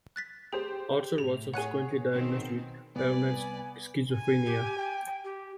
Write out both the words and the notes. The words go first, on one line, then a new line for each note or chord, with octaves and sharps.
Archer was subsequently diagnosed with paranoid schizophrenia.
F#6 A6 B6
G4 G#4 C5
A2 F7
G#4 C#5 F#5 F#6 D#7
B2 D#3 C4
C2 B3 B4 D5 G#5
G#5
G4
G5
G4